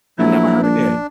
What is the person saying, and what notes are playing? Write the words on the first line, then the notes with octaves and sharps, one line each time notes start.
I never heard that.
A#1 F#3 E4
A#1 D4